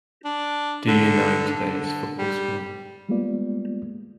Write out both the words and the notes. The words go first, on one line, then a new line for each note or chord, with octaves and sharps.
Do you know today's football score?
D4
D3
D3
G3
G3 G#3 A#3 B3 F4 D5